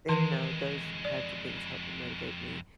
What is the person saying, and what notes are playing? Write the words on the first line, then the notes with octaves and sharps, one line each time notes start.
then, you know, those types of things help to motivate me.
F2 D#3 E3 G#3
D5